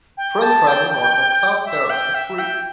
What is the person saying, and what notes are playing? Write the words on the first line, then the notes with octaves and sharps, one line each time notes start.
Tram travel north of South Terrace is free.
G5
A5
G5
E5
G5
E5
G5